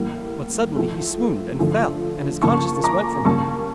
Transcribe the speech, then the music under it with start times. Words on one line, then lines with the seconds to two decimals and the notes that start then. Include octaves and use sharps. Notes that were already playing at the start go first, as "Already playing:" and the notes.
But suddenly he swooned and fell and his consciousness went from him.
Already playing: A2 E3 G3 A#3
0.76 A2 F3 A3
1.59 D3 F3 A3
2.42 C#3 F3 A#3 A5 C#6
2.84 A#5 D6
3.25 C#3 G3 A#3 A5 C#6